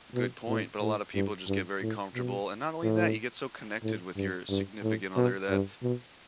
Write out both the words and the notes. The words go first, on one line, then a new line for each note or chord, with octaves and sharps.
Good point, but a lot of people just get very comfortable, and not only that, you get so connected with your significant other that
B2
A2
A2
G2
G2
A2
B2
A2
A2
G2
G2
A2
B2
G2
B2